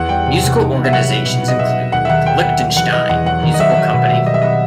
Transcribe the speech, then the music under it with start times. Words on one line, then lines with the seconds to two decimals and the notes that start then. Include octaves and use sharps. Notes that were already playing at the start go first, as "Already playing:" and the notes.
Musical organizations include the Liechtenstein Musical Company.
Already playing: E2 F#5
0.09 G3 G5
0.26 C3
0.43 C3
0.59 D#4
0.76 B3
0.84 E5
0.92 F#3 F#5
1.09 B3
1.25 B2
1.42 B3
1.48 D#5
1.59 B2 E5
1.76 B3
1.92 D#2 F#5
2.05 E5
2.09 D#3 F#5
2.26 F#3 G5
2.43 B3
2.59 G3
2.76 E3 F#5
2.92 E3 D#5
3.09 E2 F#5
3.26 F#3 F#5
3.43 D#3
3.54 D#5
3.59 F#3 E5
3.77 F#3
3.93 B2
4.10 G3
4.26 G3 D#5
4.34 E5
4.42 B3 D#5